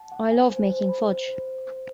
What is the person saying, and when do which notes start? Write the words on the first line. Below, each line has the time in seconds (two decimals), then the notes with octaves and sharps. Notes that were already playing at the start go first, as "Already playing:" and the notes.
I love making fudge.
Already playing: F#5 A5
0.12 F#5
0.31 G#5
0.49 C5
0.70 C5
0.89 B5
1.08 C5
1.28 C5
1.47 C5
1.67 C5